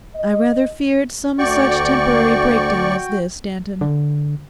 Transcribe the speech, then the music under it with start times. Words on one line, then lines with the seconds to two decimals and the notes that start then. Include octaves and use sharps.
'I rather feared some such temporary breakdown as this, Danton.
0.16 D#5
1.39 D2 F#4 D5 G5 C#6
3.81 D3